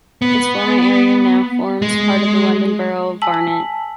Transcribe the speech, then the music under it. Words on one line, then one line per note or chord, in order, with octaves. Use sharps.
Its former area now forms part of the London Borough of Barnet.
B3
G#3
G#5 A5 E6 B6 F#7